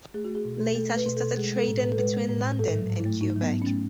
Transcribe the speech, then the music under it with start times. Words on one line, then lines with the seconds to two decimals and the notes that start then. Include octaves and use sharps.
Later she started trading between London and Quebec.
0.14 A3 G#4
0.25 F#4
0.30 A3
0.35 G#4
0.45 B2
0.60 B2
0.75 A3 A4
0.91 A3
0.96 B4
1.06 B2
1.17 B2 A4
1.37 G#3 G#4
1.52 G#3 A4
1.67 A2
1.78 A2 B4
1.92 A4
1.98 G#3 B4
2.14 G#3
2.29 A2
2.44 A2
2.59 G#2 A4
2.75 F#3
2.90 G#2
3.00 E4
3.05 A3
3.21 G#2 D#4
3.36 F#3
3.41 B3
3.51 G#2
3.62 A3 C#4